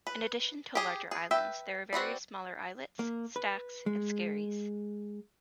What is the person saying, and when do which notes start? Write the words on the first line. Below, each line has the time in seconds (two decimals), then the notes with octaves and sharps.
In addition to the larger islands thare are various smaller islets, stacks and skerries.
0.07 B4
0.75 G4 G#4
1.11 G#4
1.31 B4 E5 G5
1.93 C4 F#4 B4 D5
2.99 A#3
3.36 B4
3.86 G#3